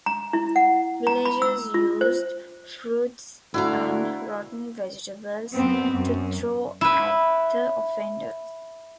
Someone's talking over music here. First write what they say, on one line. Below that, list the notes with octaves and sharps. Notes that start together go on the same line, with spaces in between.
Villagers used fruit and rotten vegetables to throw at the offenders.
A#5
E4
F#5
A#5
B5
E6
F4
C5
D2 E4 F#4 F5 A#5
F#2 B3 C4
F#2
E4 B4